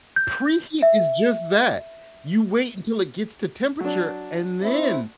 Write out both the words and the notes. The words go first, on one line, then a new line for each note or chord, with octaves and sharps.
Preheat is just that, you wait until it gets to temperature, and then
G6
E5
F#3 D4
C4 E4